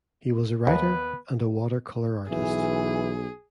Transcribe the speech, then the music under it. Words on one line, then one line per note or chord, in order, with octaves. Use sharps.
He was a writer and a water colour artist.
D#2 B3 B4
B1 E3 G#4